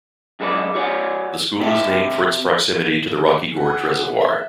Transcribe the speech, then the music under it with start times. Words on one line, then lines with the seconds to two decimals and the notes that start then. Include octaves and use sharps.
The school is named for its proximity to the Rocky Gorge Reservoir.
0.40 F#2 G#3 A4 B4 D5
0.75 F#4 C#5 D5 F#5 G#5
1.60 C3 G4 C5 E5 A5
3.53 G#4 F#5
4.15 E5